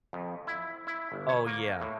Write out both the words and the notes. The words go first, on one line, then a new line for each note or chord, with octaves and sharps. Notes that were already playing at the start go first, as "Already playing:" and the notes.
Oh, yeah.
F2
E4
E4
G1
C#5
A#3
A2